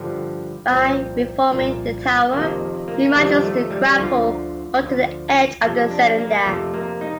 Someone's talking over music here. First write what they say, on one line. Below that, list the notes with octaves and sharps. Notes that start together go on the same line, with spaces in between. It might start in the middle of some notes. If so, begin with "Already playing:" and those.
By reforming the tower, he manages to grapple onto the edge of the cylinder.
Already playing: G2 D3 F3
C2 A#2 F3 C4
C2 A#2 F3
F2 C3 D#3 A#3
A#3
F2 C3 D#3 G3
A3
G3
G3
D2 D3 F3 F4
D2 D3 F3
F2 C3 F3 A4
D4
A#3
F2 C3 F3 A3
A#3
D#4